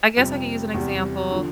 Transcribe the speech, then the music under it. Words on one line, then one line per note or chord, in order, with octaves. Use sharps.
I guess I could use an example.
F2 C3 G3
E2 C3 G3
D3 F3